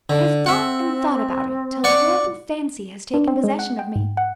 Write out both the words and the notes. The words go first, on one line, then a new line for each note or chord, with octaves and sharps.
I have thought and thought about it till a horrible fancy has taken possession of me.
D3
C4 E5 F#5
D5 F#5 C#6
D4
C4
G#3
F#5
G5
G#2
F#5